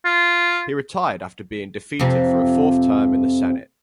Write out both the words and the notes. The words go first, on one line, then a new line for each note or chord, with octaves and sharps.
He retired after being defeated for a fourth term in the Senate.
F4
F2 C3